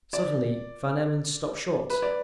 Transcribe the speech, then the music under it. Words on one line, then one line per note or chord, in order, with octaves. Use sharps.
Suddenly Van Emmon stopped short.
D5
B4
D5